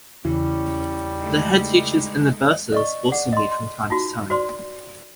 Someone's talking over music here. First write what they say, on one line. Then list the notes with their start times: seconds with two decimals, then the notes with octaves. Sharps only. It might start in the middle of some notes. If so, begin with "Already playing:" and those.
The Headteachers and the Bursars also meet from time to time.
0.25 E2 C#3 E3 G3 C#4
1.19 G#3 A3 D#4
2.72 D5 D#5 C#6
3.12 G#4 D5 F#5
3.33 D#5 C6
3.51 C6
3.90 D#4 F4 F#4
4.30 F#4 C5 D5 C6